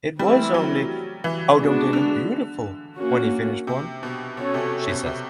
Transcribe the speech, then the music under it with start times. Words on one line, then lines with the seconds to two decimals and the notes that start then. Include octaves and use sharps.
"It was only, 'Oh, don't they look beautiful' when he finished one," she says.
0.19 E3 G3 A3 C4 E4
0.54 F#3
1.24 E3
1.58 G#3 B3 D4 F#4
1.93 D3
2.98 A#3 C#4 F#4
3.67 C3
4.03 B2
4.37 B2 C#4 F#4 A4 C#5
4.54 C3
4.89 B2
5.06 C3